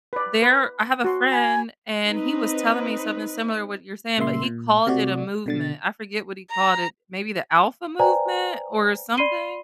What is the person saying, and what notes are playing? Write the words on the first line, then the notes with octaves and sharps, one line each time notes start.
there I have a friend, and he was telling me something similar to what you're saying, but he called it a movement. I forget what he called it. Maybe the alpha movement or something?
B4 D5
B4
F#4 C6
G#5 B5
C4 D#4 B4
A#2 C#3 A#3 E5 C6
A#2
C3 A3 F#4 D5
B2 D3 A6
A#5
B4 C5 D5 G5 G#5 A#5
D5 B5 C6 C7 D#7 G7